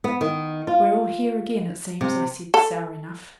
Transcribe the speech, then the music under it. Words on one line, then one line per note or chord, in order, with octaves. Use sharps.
'We're all here again, it seems,' I said, sour enough.
B3
D#3
F4
C3
A4